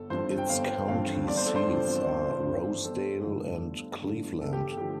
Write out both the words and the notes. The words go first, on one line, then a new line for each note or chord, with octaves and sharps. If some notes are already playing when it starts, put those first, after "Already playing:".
Its county seats are Rosedale and Cleveland.
Already playing: G1 A4
G2 F3 C4 C5
G5
G1 F5
G2 F3 C4 F5
G1 D5
C5
A4
C5
G2 F3 C4
G1
G2 F3 C4
G1 A4
G2 D3 F3 A3
G1
G2 D3 F3 A3
G1 A4
G4
D3 F3 A3 G4